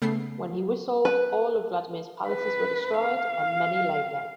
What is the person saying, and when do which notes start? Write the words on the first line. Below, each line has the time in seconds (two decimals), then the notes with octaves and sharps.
When he whistled all of Vladimir's palaces were destroyed and many lay dead.
0.02 C#3 A3 B3 C7
1.05 B4
2.28 B4
3.00 F5